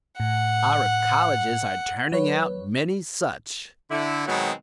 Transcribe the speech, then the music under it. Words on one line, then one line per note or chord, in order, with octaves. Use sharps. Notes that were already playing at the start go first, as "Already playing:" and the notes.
"Our Colleges are turning out many such."
A2 F#5
F#3 B4 C#5
D3 E4
B2 D#3 F#3 G#3 B3 C4